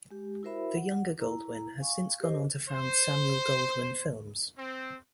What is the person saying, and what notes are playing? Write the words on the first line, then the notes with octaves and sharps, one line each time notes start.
The younger Goldwyn has since gone on to found Samuel Goldwyn Films.
G#3 G4
E4 F#4 A#4 C5 E5 B5
F#5
E4 A#5
F5 G#5 C#6
G4 A#4 C5 D#5
C5
C4